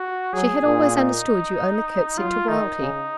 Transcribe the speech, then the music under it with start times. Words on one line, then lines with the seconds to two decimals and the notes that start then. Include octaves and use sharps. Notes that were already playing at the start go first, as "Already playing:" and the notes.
She had always understood you only curtsied to Royalty.
Already playing: F#4
0.33 F#3 G#4
0.65 A#2
0.95 D#4
2.18 F#3 F4
2.48 D#3 D#4
2.80 C#3